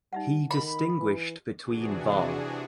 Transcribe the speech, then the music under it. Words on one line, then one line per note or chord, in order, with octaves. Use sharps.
He distinguished between var.
G3 D#4 E5 F#5
D#3 B5
E3
C3 E3 D4 F#4 G#4